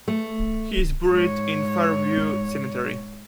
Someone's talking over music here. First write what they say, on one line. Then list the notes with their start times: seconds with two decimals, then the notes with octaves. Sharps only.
He is buried in Fairview Cemetery.
0.08 A3
1.09 G#2 C#5